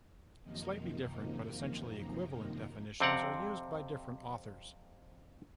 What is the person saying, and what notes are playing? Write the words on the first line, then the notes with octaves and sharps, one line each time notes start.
Slightly different but essentially equivalent definitions are used by different authors.
F#2 C3 D#3 F3 A#3 D#4
F2 C3 C4 D5 F#5 A#5